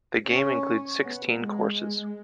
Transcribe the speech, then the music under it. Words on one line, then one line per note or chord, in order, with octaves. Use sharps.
The game includes sixteen courses.
C#4
B3
G#3